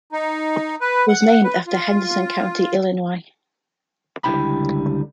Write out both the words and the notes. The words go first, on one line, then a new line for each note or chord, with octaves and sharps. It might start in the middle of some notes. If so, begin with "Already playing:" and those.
Was named after Henderson county Illinois.
D#4
B4
F#5
B4
F4
C#2 D3 G3 E4 G5 B5